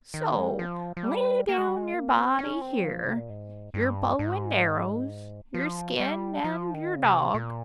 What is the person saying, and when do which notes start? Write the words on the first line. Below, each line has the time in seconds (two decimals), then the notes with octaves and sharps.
So, lay down your body here; your bow and arrows, your skin and your dog.
0.14 D#3
0.38 G#3
0.48 G3
0.59 F3
0.97 F3
1.04 G3
1.49 A#3
1.58 G#3
1.68 G3
1.76 G#3
1.94 A#3
2.17 C4
2.39 C#4
2.61 C4
2.84 F3
3.05 C3
3.17 A#2
3.29 G#2
3.74 G2
4.19 G#2
5.54 F3
6.00 G3
6.44 F3
6.74 D#3
6.96 C#3
7.04 C3
7.34 A#2